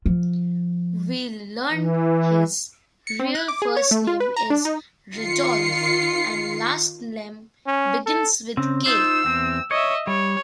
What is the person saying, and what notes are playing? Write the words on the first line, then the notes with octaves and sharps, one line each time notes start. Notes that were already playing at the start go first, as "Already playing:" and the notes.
We learn his real first name is "Rudolph", and last name begins with "K".
F3
E3
C#7
C4
F#6
D6
G#4
C#5
A3
F4
B4
A#5
D4
D#4
D#3 F4 C7 C#7
C#4
A4
C#3 C4
D#4 F4 C5 E6
E2 C4
C#5 D#5 E5
G3 C#5